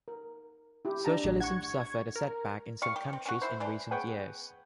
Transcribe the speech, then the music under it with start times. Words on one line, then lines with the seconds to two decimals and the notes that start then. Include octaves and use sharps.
Socialism suffered a setback in some countries in recent years.
0.08 A#4
0.85 E4 G4
1.05 D4 A5 A#5
1.24 A1
1.40 F#5 C#6 G#6
2.16 A#4
2.82 G3 F5 C#6
2.96 G4
3.13 C4
3.26 C#4 F#4
3.42 E4 C5
3.60 E3 D4 C5
3.91 G#4 B4 F#5 G5 C#6